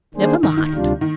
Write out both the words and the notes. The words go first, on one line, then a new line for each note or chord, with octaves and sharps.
Never mind.'
D#3 A#3 D4 G#4 C5
D#3
D#3
D2 C3 G3 D4 F4
D#3